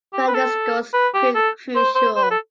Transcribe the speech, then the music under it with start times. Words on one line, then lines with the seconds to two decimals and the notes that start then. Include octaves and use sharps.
London's goals proved crucial.
0.13 G4
0.28 B4
0.34 A4
0.94 B4
1.14 G4
1.35 A4
1.75 C5
1.95 C5
2.16 C5
2.23 B4
2.30 A4